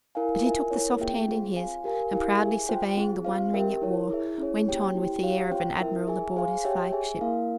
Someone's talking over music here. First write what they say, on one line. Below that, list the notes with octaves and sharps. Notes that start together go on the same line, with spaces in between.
But he took the soft hand in his, and proudly surveying the one ring it wore, went on with the air of an admiral aboard his flagship.
E4 A#4 F5 G#5
F4 A#4 E5 G#5
C4 E4 A#4 C#5
A#3 F4 G#4 E5 G5
C4 F4 G#4 C5
F4 C5 F5 G#5
G4 A#4 F5 G#5
E4 G4 A#4 F5
G#4 E5 G#5
F4 C5 G5
C4 F4 G#4
C4 F4 C5 F5
G4 A#4 E5 G5
E4 A#4 C#5
E4 G#4 E5
C#4 E4 G#4 C#5
A#3 C#4 G4 C#5 G5
E4 G4 C5 G5
G4 C#5 F5
C4 F4 C5 G5
E4 A#4 E5
G#4 E5 G#5
G#4 C5 F5 G#5
G4 C#5 E5 G5
G#4 E5 G#5
A#3 E4 A#4 F5